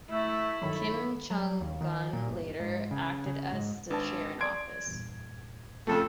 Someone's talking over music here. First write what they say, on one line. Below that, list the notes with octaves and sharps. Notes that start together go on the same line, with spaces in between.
Kim Chung Gun later acted as the Chair-in-Office.
A3 E4
G2 D#3 F#3 A4 C#5 B5
F#3
D#2
D#3
A#2
G1
G#2
C#3
C#3
G#2
G#1 D4 B4 A5
D5 C6 G#6 D7
E2 G2 A#2
F2 C#3 F3 A3 A4